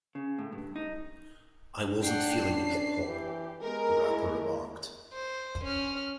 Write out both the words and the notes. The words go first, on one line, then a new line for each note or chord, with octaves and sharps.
"I wasn't feeling hip hop," the rapper remarked.
C#3
A2
G2
D#4
D4 F#5 G5 C7
C#4
E3 G4
G#3 B3 A#4
A3 E4
C5
C#4 F6